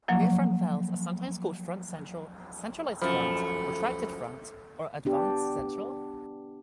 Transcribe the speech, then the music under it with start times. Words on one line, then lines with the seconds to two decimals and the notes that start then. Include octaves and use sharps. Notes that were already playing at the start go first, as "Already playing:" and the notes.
Near-front vowels are sometimes called front-central, centralized front, retracted front or advanced central.
0.08 F3 F#3 A#3
3.02 F#2 F3 A3 B5
5.05 B3 D4 G4